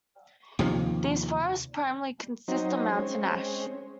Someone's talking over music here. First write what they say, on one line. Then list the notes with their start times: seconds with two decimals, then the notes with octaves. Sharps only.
These forests primarily consist of Mountain Ash.
0.59 D#2 C3 F3
2.48 F#3 C4 D#4
2.92 G#3 C4 C#4